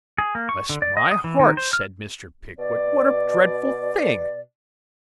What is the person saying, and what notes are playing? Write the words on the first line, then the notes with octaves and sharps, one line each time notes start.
'Bless my heart,' said Mr. Pickwick, 'what a dreadful thing!
G#4
A#3
C#6
D3
D5
D#5
D#6
E3
D#3
C5
F6
B2 D5